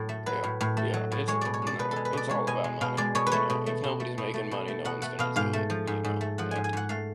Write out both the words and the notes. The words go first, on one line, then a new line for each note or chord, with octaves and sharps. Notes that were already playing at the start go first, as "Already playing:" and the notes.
Yeah, yeah, it's no, it's all about money, you know. If nobody's making money, no one's gonna do it, you know, that,
Already playing: A2 F#3 A4
A3
F#3 B4
A2
A2
A3
F#3
A2
G#3 C#5
B2 D5
C#5
G#3 D5
B2 B4
A4
G#3
B4
B2 D5
G#3 C#5
B2 G#5
G#3
B2 F5
G#3 D5
B2 C#5
B4
A3 C#5
B2
A3
B2
A3
B2
A3
B2
A3
B2 F#5
A3 F#5
B2 F5
G#2 F5
A3
F3
G#2
G#2
A3
F3 F#5
G#2 G#5
G#5
G#2 F#5
A3 F5